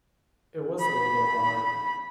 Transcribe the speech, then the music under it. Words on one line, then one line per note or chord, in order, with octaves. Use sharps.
It was a little hard.
B5